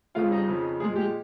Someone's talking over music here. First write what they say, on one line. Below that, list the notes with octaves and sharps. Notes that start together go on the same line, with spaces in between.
Mm, mhm.
F2 C#3 F3 F4 F5
D#4 D#5
F2 C#3 F3
A#2 F3 G#3 G#4
G4